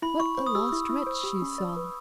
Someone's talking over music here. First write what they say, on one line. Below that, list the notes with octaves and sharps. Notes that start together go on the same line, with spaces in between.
What a lost wretch she saw!
E4 B5
E4 C#6
C5
D#6
G4 E6
E4
E4
C5
G4
C#4
D5
B4